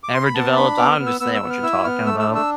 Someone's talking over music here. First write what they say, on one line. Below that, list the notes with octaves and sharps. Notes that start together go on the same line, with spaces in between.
ever developed, I understand what you're talking about.
D6
C6
B5
B3 A5
D4 B5
B3 D6
F6
B3
E6
B3 E6
E6
B3
F6
E4 E6
B3 F6
A3 E6
E6
D4
E6